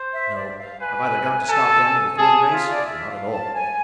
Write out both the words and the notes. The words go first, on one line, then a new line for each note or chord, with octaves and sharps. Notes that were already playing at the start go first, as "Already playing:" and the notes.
No, I've either got to stop Andy before the race, or not at all.
Already playing: C5
E5
D5
F5
B4 G#5
A4
G#4 A5
G#5
F4 E5
D5
E5
F5
A5
G#5